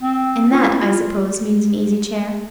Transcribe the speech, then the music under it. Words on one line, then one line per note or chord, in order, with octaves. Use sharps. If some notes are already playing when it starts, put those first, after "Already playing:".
"And that, I suppose, means an easy-chair?"
C4
F4
E4
F4